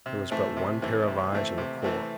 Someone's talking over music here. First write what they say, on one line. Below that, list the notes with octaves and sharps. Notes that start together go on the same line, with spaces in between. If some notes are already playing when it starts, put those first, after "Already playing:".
There was but one pair of eyes in the corps.
C3
E3 A3 C4
C3
E3 A3 C4
C3
E3 A3 C4
C3
E3 A3 C4